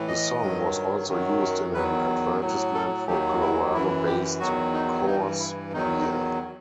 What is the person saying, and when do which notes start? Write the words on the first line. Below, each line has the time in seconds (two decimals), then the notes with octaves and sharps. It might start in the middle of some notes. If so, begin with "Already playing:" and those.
The song was also used in an advertisement for Colorado-based Coors beer.
Already playing: A2 E3
0.08 D#5
0.41 G2 D#3 F#3
1.08 F#2 D#3 F#3
1.74 E2 D#3 F#3 B4
2.41 A2 F#3
2.74 A4
3.07 D#2 D#3 F#3 G4
3.41 E4
3.73 F#2 E3 E4
4.06 G4
4.39 E2 D#3 F#3 F#4
4.73 D#4
5.06 G2 E3 D#4
5.39 E4
5.73 E2 D#3 F#3 D#4
6.01 D#4